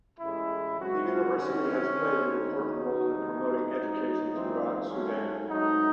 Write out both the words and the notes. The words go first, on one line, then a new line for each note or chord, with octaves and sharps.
The university has played an important role in promoting education throughout Sudan.
A1 A2 G#3 E4
F#2 C#3 G#3 C4 F#4
C2 C3 D#3 F#3 C4 C#4
D#2 D#3 A3 C4
D#2 C#3 F#3 D#4
C2 C3 E3 A3
A1 G#2 F#3
F#2 E3 G#3 C4
G#2 F#3 A3 C#4
G#2 F#3 A3 C4 D#4